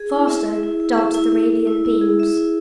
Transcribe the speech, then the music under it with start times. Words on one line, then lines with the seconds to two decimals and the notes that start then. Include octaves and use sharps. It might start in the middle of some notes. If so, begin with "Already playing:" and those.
Faster danced the radiant beams.
Already playing: G#4
0.10 E4
0.27 E5
0.46 E5
0.63 E4
0.80 E4
0.98 E5
1.15 E4
1.32 E4
1.50 E4
1.67 E4
1.85 E4
2.01 G#4
2.20 E5
2.37 E4